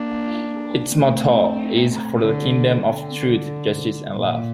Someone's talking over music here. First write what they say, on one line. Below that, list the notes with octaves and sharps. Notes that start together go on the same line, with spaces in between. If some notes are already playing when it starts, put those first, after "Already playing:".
Its motto is 'For the Kingdom of Truth, Justice and Love'.
Already playing: A#3 D4
A3 C4
D3
D3
A#2